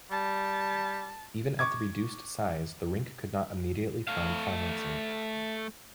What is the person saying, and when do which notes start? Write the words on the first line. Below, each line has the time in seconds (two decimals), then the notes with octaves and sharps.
Even at the reduced size, the rink could not immediately find financing.
0.11 G3 A5
1.59 C#6 D6 G#6
4.07 A3 F5